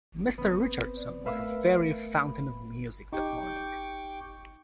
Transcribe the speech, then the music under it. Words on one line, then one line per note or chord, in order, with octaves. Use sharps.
Mr. Richardson was a very fountain of music that morning.
B3 C4
D5
A3 A#4 B4 E5 F5
B5
D#4 G4 G5 C#6 D6